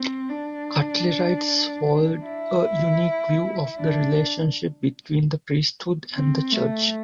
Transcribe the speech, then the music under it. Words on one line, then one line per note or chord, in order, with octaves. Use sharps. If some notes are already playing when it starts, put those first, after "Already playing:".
Cutlerites hold a unique view of the relationship between the priesthood and the church.
Already playing: C4
D4
E4
D4
C4
A3